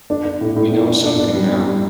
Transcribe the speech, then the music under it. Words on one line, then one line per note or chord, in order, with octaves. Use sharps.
We know something now.
D4
D4
A2
A2
A2
D4
D4
D4
G3
G3
G3